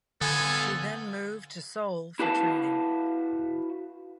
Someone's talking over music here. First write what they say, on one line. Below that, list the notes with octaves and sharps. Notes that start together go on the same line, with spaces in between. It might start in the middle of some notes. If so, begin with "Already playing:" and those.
She then moved to Seoul for training.
D3 B3 F4 A4 G#5
E4 F#4 B4 F5 A5